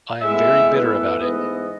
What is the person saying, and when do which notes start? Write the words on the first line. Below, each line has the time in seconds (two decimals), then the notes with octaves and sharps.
I am very bitter about it.
0.21 A2 G#3 B3 E5
0.71 A2 E3 B3 E5
1.20 G#2 E3 B3 D#5